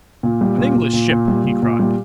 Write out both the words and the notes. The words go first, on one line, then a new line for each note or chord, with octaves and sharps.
"An English ship!" he cried.
A#2
G3
A#2
A#2
A#2
A#2
G3
A#2
A#2
G3